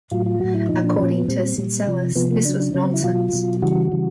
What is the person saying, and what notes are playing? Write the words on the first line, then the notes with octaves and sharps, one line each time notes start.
According to Syncellus this was nonsense.
A2 F#3 F4
F4
A2 F#3 F#4
E4
A#2 F3 D#4
D4
A#2 F3 C#4
B3
A#2 G3 C4
C4
A#2 G3
C3 F3
C3 F3 B3
A#3
C#3 F#3 D4
D4
C#3 F#3 C#4
C4
E4
B2 F#3 F4
B2 F#3
C#3 E3 G3 F#4
C#3 E3 G3